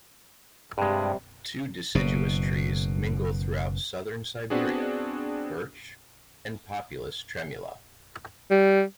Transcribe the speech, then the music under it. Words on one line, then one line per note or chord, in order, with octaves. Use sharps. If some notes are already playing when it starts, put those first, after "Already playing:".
Two deciduous trees mingle throughout southern Siberia: birch and Populus tremula.
G2 C3 G3 G#3
F#1 B2
B3 C4 D4 F#4 G#4
G3